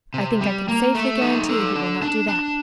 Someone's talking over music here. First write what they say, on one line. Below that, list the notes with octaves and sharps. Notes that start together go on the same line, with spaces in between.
"I think I can safely guarantee he will not do that."
C3
G3
A#3
A3
D#4
A4
D4
D4
D4